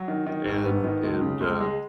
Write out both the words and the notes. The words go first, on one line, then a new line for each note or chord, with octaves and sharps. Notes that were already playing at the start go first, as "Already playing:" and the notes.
and and, uh
Already playing: F#3
D#3
D#3
G#1
B3
D#3
C#2
C#3
C#2
G#3